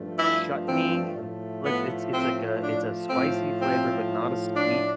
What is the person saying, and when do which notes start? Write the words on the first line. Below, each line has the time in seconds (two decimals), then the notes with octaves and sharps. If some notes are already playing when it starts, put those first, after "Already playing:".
chutney, like, it’s it’s like a it’s a spicy flavor, but not a sweet
Already playing: G2 F3 A3
0.18 E4
0.66 C4
1.15 A2 F3 A3
1.63 B3
2.13 C4
2.60 D4
3.09 A2 F3 A3 C4
3.59 C4
4.56 D4